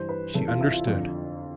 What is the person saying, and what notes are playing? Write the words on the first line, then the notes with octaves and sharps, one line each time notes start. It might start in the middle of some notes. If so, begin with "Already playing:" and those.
She understood!
Already playing: G2 E3 C5
B4
E2 C3 E3 A4
F4
E4
F4
F2 D3 F4